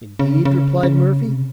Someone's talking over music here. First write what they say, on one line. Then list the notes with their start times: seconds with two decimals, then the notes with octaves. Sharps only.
"Indeed!" replied Murphy.
0.19 C#3
0.45 C#3
0.83 C#3
1.22 C3